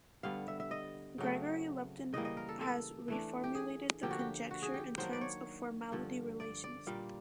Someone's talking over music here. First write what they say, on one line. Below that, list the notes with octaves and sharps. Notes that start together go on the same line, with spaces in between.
Gregory Lupton has reformulated the conjecture in terms of formality relations.
G2 D3 G3 B3 F5
E5
E5
D#5
C#3 F#3 A3 C4
C#3 E3 G3 A#3 D#5
D#5
A#4
A4
A4
E3 A3 D4
G4
G#4
D3 F3 A#3 G4
F#4
G4
F#4
G#4
G4
D#3 F#3 A#3 D4 C5
D5
C#5
G2 D3 F3
D5
D5
A#2 G3 A#3 F5